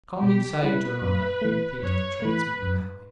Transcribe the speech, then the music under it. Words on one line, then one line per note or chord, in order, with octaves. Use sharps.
"Come inside, your honor!" repeated the tradesman, bowing.
B2 G4
G3 C#4 E4 B4
F#2
E3 A3
F#2 C#5
E3 A3 B4
F#2